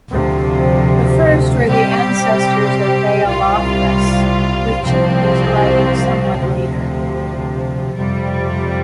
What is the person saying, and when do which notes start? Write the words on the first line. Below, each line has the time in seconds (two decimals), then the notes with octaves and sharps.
The first were the ancestors of "Baeolophus", with chickadees arriving somewhat later.
0.11 D2 C3 F3
1.68 C3 G3 C4 G4
3.25 C2 C3 G3 F4
4.82 C2 C3 F3 C4
6.39 D2 C3 F3
7.97 F2 C3 G3